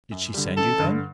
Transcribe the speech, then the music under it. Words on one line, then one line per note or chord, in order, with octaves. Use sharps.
"Did she send you, then?"
F#2
D3 G3
A1 A4
G2 D3